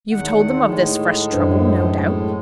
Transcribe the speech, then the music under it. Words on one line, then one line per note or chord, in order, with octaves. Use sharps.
"You've told them of this fresh trouble, no doubt."
E2 D#3 F#5
A2 G#3
F#2 D4 B4 C5